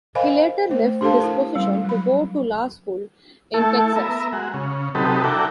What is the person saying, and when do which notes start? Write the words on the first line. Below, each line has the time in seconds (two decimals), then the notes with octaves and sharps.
He later left this position to go to law school in Texas.
0.15 A#4 C5 D#5 F5 G#5 B5
0.69 A3 C5
1.01 D4 G4 A4 C5 F5 A5
1.20 E4 A#4
1.56 G3 C#4
1.85 F#3 B5
3.54 A3 E4 A4
3.96 B3 A#4 E5
4.33 G#3 F#4
4.54 C#3
4.95 C3 F#3 D#4 G4 A4 B4
5.24 D4 E4 F#4 A4 A#4 G5